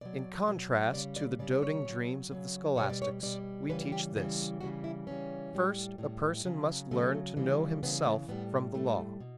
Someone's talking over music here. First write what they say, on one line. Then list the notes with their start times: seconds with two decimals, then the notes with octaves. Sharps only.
In contrast to the doting dreams of the scholastics, we teach this: First a person must learn to know himself from the Law.
0.01 B2 F#3 D5
0.48 B2 F#3
0.93 C#3 G3 D5
1.16 D5
1.39 C#3 G3 D5
1.62 C#5
1.85 C#3 F#3
2.31 C#3 F#3
2.77 B2 G3 C#5
2.90 D5
3.02 C#5
3.23 B2 G3 D5
3.69 C#3 E3 G3 B4
3.92 G4
4.15 C#3 E3 G3
4.60 C#3 E3 G3 F#4
4.84 E4
5.07 C#3 E3 G3 C#4
5.53 A2 G3
5.98 A2 G3
6.45 C#3 F#3
6.91 C#3 F#3 A3
7.37 C#3 E3 G3
7.83 C#3 E3 G3 B3
8.06 A3
8.28 A2 G3 B3
8.74 A2 G3 A3
9.20 B2